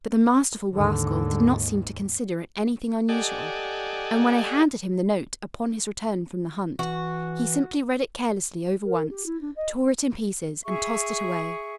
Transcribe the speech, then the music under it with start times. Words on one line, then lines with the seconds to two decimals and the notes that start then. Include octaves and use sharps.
But the masterful rascal did not seem to consider it anything unusual, and when I handed him the note upon his return from the hunt, he simply read it carelessly over once, tore it in pieces and tossed it away.
0.73 D#2 G#2 D3 D#3
3.09 G4 A4 D5 D#5 F#5 G#5
6.79 E3 F#4
8.85 A#4
9.10 G4
9.26 E4
9.41 D4
9.56 D#5
10.66 G#4 E5 C#6